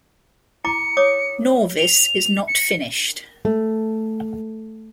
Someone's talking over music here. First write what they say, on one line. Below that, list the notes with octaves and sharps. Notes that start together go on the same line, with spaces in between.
Norvis is not finished.
E4 A#5 D6 C#7
C#5 D6 D#6
F7
C#7
A3